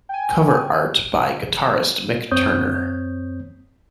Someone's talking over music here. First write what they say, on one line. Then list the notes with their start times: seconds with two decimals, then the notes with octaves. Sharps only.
Cover art by guitarist Mick Turner.
0.09 G5 G#5
2.31 F#2 C4 C#5 D#6 G6